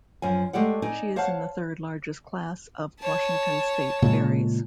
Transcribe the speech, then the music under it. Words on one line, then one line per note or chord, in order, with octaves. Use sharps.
She is in the third largest class of Washington State Ferries.
F#2 F3 G#5
G#3 A3 G4 D5 F#5
D#4 D5 G#5
C5 C#5 F5 F#5 A5
C#5 A5
A#2 C#3 G#3